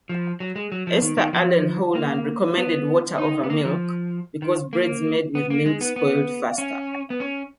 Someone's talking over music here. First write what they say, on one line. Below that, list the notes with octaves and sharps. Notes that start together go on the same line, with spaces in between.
Esther Allen Howland recommended water over milk because breads made with milk spoiled faster.
F3
F#3
G#3
F#3
F3
D#3
D#3
F3
A#3
B3
D#4
B3
A#3
F3
D#3
A#3
B3
A#3
G#3
B3
B3
C#4
B3
C#4